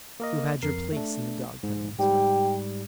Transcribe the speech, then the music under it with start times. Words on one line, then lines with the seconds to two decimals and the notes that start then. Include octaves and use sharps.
You have had your place in the dog-kennel as well.
0.20 A#3 A#4 D#5
0.62 F2 A#4 C7
0.92 A3 D4
1.63 G#2
1.99 G#2 G3 G4